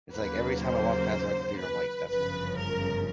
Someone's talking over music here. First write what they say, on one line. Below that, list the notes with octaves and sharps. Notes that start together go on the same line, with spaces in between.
it's, like, every time I walk past my computer, I'm like, "That's work."
D#2 C#3 F#3 A#3 B4
C5
B4
G1 F#2 C#3 F3 B4
A#4